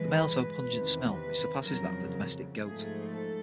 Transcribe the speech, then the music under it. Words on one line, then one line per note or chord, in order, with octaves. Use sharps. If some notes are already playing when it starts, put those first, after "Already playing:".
The males have a pungent smell, which surpasses that of the domestic goat.
Already playing: G2 E3 G#3 B4
E2 C3 D#3
B4
F2 C#3 F#3 A#4
G#2 F3 A3 G#4
A4